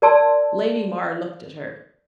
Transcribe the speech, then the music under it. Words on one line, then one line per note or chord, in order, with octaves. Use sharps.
Lady Mar looked at her.
A#4 D5 A5 C6 E6